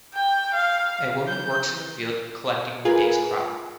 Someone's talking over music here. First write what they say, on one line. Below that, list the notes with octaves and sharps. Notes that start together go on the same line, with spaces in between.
A woman works in the field collecting the day 's crop.
G5
F5
G6
F4 G#4 A#4 B4 G#5